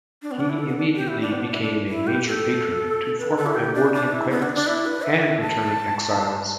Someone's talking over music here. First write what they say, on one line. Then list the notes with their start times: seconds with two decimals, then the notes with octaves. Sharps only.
He immediately became a major patron to former Edwardian clerics and returning exiles.
0.22 D4
0.31 B3
0.40 D4
0.49 E4
0.59 A4
0.68 B3
0.78 D4
0.96 G4
1.08 E4
1.21 D4
1.33 B3
1.42 D4
1.51 E4
1.61 D4
1.88 E4
2.07 G4
2.26 A4
3.18 B4
3.37 A4
3.46 E4
3.55 G4
3.74 D4
3.93 D4
4.11 E4
4.30 B3
4.42 D4
4.55 D4
4.67 E4
4.86 B4
5.04 E5
5.41 A5